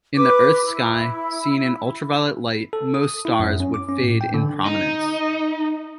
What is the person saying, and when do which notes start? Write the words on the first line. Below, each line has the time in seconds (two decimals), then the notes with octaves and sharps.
In the Earth's sky seen in ultraviolet light, most stars would fade in prominence.
0.15 B4 D6
0.65 E4
2.73 A4
2.94 D#6
3.25 E4
3.39 F#2
3.60 C#4
3.74 D6
3.89 C#4
4.03 A2
4.21 G5
4.34 D3
4.66 D#4